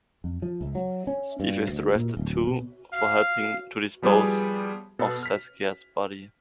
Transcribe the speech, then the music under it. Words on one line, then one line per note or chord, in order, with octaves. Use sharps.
Steve is arrested too for helping to dispose of Saskia's body.
F2
F3
C#2
F#3
C#4
G2
D2
A#2
D1
B2
F5
F3 G3 B3 G4 G#4
B2 B3 A4
F6 B6